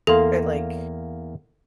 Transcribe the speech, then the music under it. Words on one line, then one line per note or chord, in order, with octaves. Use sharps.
uh, like,
E2 A#3 A4 F5 C6